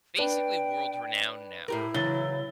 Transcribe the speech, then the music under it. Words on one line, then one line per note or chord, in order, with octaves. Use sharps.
basically world-renowned now
D4 B4 G5
A2 E4 G4 A#4
C#3 E3 F#3 A6 G7